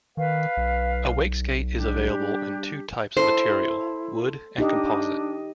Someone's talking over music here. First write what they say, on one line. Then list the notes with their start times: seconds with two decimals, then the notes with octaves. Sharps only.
A wakeskate is available in two types of material: wood and composite.
0.17 D#3 B4 F5
0.57 B1
1.76 G3 D4 G4
3.17 E4 A4 C5
4.58 D4 D#4 G4 D#5